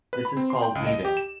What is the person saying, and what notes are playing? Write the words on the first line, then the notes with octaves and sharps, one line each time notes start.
This is called Weaving.
B4
B5
C4
C6
G5
C#2
D#5
G4
E7